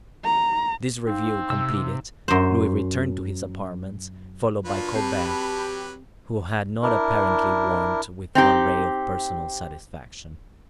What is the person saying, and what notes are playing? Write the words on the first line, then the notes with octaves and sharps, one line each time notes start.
This review completed, Louis returned to his apartments, followed by Colbert, who had not apparently warmed with one ray of personal satisfaction.
A#5
C4 D#4 F5
C3 E6
F#2 C5
A#2 F#3 D4 F4 B4
C4 G4 A5 B5
D4 E4 A#4
C4 D#4 G4